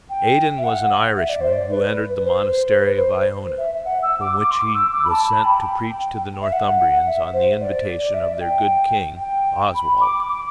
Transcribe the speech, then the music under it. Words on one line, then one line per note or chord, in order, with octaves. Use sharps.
Aidan was an Irishman who entered the monastery of Iona, from which he was sent to preach to the Northumbrians on the invitation of their good king, Oswald.
G5
E5
F#5
E5
D5
C5
D5
B4
C5
C5
B4
C5
C5
E5
E5
F#5
E6
D6
D6
C6
D6
E6
D6
B5
A5
B5
A5
G5
E5
F#5
F#5
E5
C5
D5
D5
E5
G5
G5
B5
D6
D6